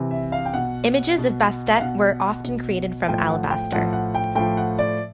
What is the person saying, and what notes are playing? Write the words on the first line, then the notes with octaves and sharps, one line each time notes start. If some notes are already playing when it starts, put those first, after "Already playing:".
Images of Bastet were often created from alabaster.
Already playing: C3 E3
E5
F5
G5
B2 F#5
B2
F5
B2 F#5
B2
A2 F3 G5
F#5
G5
A2 F3 F#5
F#5
G5
A2 F3 G5
F#5
D5